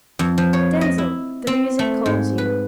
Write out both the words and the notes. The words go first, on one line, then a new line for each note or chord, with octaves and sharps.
Denzil, the music calls you.
F2
F3
C#5
D#5
E4
C4
A3
G#2
B4